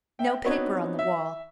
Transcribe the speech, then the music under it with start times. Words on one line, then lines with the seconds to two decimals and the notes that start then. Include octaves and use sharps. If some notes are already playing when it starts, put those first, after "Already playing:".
No paper on the wall!
0.19 E5 G5
0.45 B3 C4 D4 D#4 F#4 C#5
0.99 E5